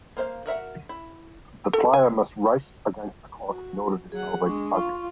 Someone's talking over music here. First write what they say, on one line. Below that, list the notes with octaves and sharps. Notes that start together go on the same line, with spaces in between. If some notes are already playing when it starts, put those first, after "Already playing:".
The player must race against the clock in order to solve each puzzle.
A#3 C5 C#5 F5
F#4 A#4 E5 F#5
E4
A4
G#5
F#4
F#3 G#4 F#5
G#3 D4 C#6
F4 F5 C6 C#6